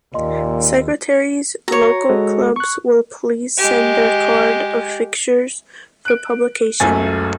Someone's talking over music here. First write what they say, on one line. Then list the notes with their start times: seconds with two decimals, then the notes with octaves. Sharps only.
Secretaries local clubs will please send their card of fixtures for publication.
0.14 D#2 A#2 D#5 C6
1.68 F#4 C#5 A#5
2.09 G#3 F#4 A4
2.56 C#6 F#6
3.58 G#3 G4
6.05 F#6 D7
6.80 F#1 C#2 F#2 A3 G#5 A6